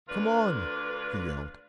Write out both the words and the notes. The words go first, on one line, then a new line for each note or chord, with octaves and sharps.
"Come on!" he yelled.
D2 D4 F4 A#4 B4